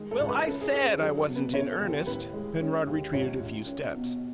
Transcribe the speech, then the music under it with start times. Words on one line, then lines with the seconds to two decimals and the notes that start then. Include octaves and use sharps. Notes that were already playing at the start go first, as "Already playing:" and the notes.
"Well, I SAID I wasn't in earnest!" Penrod retreated a few steps.
Already playing: D#3 G#3
0.11 A4
0.20 C#2
0.29 B4
0.46 C#4 A4
0.61 G#4
0.74 C#4 A4
0.87 A4
1.00 F#3 G#4
1.17 A4
1.27 B2
1.35 B4
1.54 C#3 C#5
1.72 A4
1.80 D#2
1.88 A4
2.07 A2 B4
2.33 G#3
2.61 C#4
2.86 D#2
3.13 C#2 C#5
3.40 C#2
3.66 C#4
3.93 B2